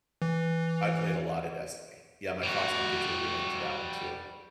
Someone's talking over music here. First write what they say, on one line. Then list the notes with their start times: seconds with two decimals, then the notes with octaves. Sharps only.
I played a lot of Destiny. Yeah, my foster kids were really into that one too.
0.22 E3
2.43 G3 F#4